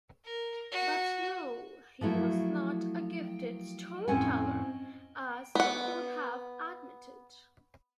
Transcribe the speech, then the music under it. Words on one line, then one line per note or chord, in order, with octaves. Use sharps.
But, no, he was not a gifted storyteller, as he would have admitted.
A#4
F#4
F3 F#3 A3 E4 F#4
F2 A2 C4 C#4 F#5 G#5
B3 F#5